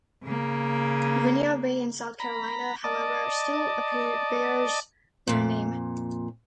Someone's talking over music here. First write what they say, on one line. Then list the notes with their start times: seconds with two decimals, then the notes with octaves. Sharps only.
Winyah Bay in South Carolina, however, still bears their name.
0.23 C#3 A#3
2.20 A#5 B5
2.84 D5 D#5 A5
5.27 F2 A#2